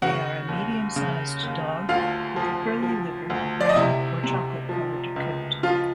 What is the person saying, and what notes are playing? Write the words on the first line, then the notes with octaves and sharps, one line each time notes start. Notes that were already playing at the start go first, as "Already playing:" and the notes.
They are a medium-sized dog, with a curly liver, brown, or chocolate colored coat.
C#3 F#4 F#5
D#2
C#3
D#2
D2 F4 F5
F3
F3
D2
D5
D#5
C3 E4 E5
C3
F3
C#2
F3 F4 F5